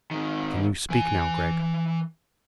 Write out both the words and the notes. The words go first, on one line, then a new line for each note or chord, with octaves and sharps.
"Can you speak now, Gregg?"
G#2 D#3
E3 G#5